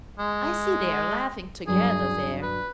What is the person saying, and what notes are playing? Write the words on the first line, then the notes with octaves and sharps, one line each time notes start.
I see they are laughing together there.
G#3
G2 F#3 G#4
B4